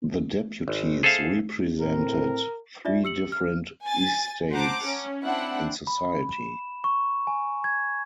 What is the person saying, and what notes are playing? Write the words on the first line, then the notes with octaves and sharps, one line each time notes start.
The deputies represented three different "estates" in society.
G#1
G#4 A4 C5 E5 F5
A2 C4 A#4
D#4 F4 D5 E5
G4 E6 C#7 F#7
F6
G#5 A6
C5 F#5 A5 A#5 D6
C#4
C4 D4 E4 F#5
B5
E7
C#6
G#5
G#6